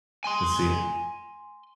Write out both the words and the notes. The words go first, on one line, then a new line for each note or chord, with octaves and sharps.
I'll see ya.
G#5 C6